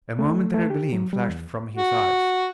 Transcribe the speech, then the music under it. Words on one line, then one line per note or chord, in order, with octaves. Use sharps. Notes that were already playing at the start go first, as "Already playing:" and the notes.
A momentary gleam flashed from his eyes.
A3
A3
G4
F#3
G3
E2
F#4